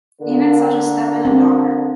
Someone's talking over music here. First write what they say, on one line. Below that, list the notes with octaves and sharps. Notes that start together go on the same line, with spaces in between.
Even such as Stepan and Docker.
D3 A#3
C4